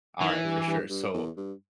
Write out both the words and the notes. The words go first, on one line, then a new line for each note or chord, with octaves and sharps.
All right, for sure, so,
D#3 E3
G2
G2
G2
E2
G2